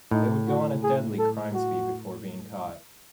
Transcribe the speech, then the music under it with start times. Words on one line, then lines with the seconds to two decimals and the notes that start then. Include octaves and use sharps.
They would go on a deadly crime spree before being caught.
0.11 A2 D#4
0.47 F#4
0.83 G#4
1.19 A4
1.55 F#4